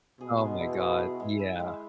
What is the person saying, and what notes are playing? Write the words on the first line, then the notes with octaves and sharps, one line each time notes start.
Oh my god. Yeah.
B2 G#4
G#3
E4
G#3
G#4
G#3
E4
G#3